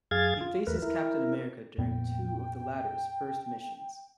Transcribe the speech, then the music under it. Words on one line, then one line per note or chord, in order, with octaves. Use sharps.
He faces Captain America during two of the latter's first missions.
F#2 G#4 F5 G#6 A6
F4
E2 A3 A#4 B4
E4 A#4
F2 A#2 B3 G5